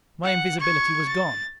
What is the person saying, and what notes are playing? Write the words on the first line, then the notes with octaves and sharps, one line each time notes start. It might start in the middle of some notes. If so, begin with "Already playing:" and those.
My invisibility was gone!
F#5
C#6 G#6
A6